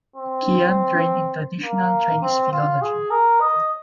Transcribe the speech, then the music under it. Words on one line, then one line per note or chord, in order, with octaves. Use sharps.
Qian trained in traditional Chinese philology.
C4
A#3
C4
F4
G#4
A#4
D#5